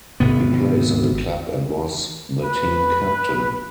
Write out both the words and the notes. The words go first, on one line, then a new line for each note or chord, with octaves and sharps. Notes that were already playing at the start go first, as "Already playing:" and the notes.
He plays in the club and was the team captain.
G#1 C3 B3
B4